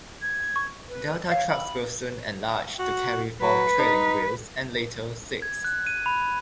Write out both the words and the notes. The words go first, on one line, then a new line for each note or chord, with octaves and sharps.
Delta trucks were soon enlarged to carry four trailing wheels, and later six.
G#6
C#6
B4
C#5 F5
B5
F#4
F#3 B4
D#4
G#6
F#6
D#7
B5